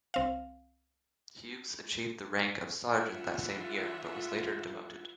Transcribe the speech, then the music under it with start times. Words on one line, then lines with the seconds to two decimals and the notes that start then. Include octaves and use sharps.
Hughes achieved the rank of sergeant that same year, but was later demoted.
0.14 C2 C4 F5
2.92 E3 F4 E5 F#5